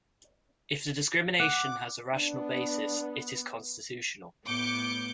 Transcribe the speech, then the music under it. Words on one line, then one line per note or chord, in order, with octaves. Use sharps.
If the discrimination has a rational basis, it is constitutional.
F#5 D6
B3 D4
A2 B3 D6 G6 C#7